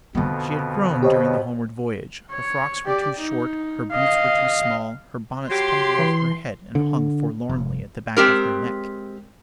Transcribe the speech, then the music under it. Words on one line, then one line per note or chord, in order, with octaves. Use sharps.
She had grown during the homeward voyage; her frocks were too short, her boots were too small, her bonnets tumbled off her head and hung forlornly at the back of her neck.
F2 B2 D3 B3
G4 C5 C#5 D#5
C#5
G4 D5
D#4
D#5 F5
F#3 G4 C6
E3
D3
F1
G#3 C4 G4 A#4